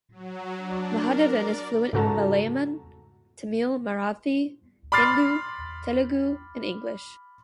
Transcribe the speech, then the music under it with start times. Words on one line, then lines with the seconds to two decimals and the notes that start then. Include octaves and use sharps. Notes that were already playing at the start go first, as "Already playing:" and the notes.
Mahadevan is fluent in Malayalam, Tamil, Marathi, Hindi, Telugu and English.
0.12 F#3
0.57 D4
0.96 A#4
1.31 D5
1.93 G#2 C#3 F#4 A4 A5 A#5
4.92 B5 C6 D6 F6 A6 C7